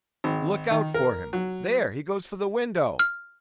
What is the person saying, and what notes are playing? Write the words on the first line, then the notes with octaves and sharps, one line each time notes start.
"Look out for him--there he goes for the window."
G#1
D#3
A#4
F#3
F6